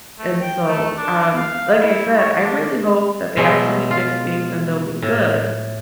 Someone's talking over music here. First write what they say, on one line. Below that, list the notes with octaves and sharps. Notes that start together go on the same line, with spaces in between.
And so, um, like I said, I really hope that they actually fix things and they'll be good,
A3
G5
A3
D4
F5
E4
C#5
D4
B2 E3 F#3 G#3
F4
A2